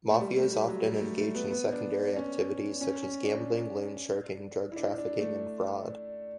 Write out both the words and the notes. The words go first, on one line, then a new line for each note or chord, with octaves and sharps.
Mafias often engage in secondary activities such as gambling, loan sharking, drug-trafficking, and fraud.
A3
G3
A3
G3
F#3
G3
A3
A3
B3
B3
D4
C#4
C#4
C#4
D4
E4
D4
D4
A3